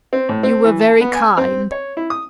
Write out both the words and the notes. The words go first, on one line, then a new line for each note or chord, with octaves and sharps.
You were very kind.
C4
A2
C4
E3
A5
B3
G#5
C4
C#5
E4
D#6